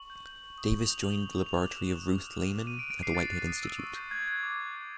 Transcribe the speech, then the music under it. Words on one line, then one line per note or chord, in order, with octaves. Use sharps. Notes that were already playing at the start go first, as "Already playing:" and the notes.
Davis joined the laboratory of Ruth Lehmann at the Whitehead Institute.
Already playing: C#6 F#7
G6
G6
G6
D#6
G6 F#7
G6 F7
F#7
D#6
G7
G6 F#7
G6
F7
D6
F#6 E7
F#6
D#6
F6
F6
D6
F#6 D#7
D7
F#6
D7
D6 C7
F#6 A6
F#6
D#6
E6
C#6
G6
F#6 G#6
F#6
D6
F#6
F#6